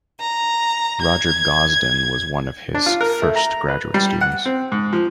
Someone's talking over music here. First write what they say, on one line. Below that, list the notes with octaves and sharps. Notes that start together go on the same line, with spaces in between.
Roger Gosden was one of his first graduate students.
A#5
G#6
D4
F4
A#4
A3
A#5
B4
G3
F#5
C4
G#2
F3